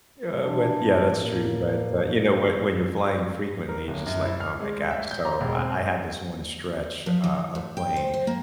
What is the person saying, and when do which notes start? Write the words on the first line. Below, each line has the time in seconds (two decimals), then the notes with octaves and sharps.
uh, when yeah, that's true, but, uh, you know, when when you're flying frequently, it's just like, "Oh my gosh," so I I had this one stretch, uh, of playing,
0.44 E3 D4
1.13 A2 A#3
3.69 A#4
3.88 D1
4.06 F#2
4.26 E4
4.40 F6
4.60 G#3
4.91 E5
5.11 G6
5.25 A#5
5.41 E1
5.55 C4
7.06 F3
7.24 E3
7.55 A2
7.77 G5
7.96 C5
8.14 C5
8.27 A#3